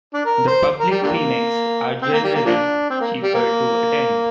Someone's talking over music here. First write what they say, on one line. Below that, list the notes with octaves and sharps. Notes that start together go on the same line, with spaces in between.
The public clinics are generally cheaper to attend.
D4
A#4
C5
A#4
G3
D3 G3 A#3
C4
A#3
G3
A#3
F3 A#3 D4
C4
A#3
G3
A#3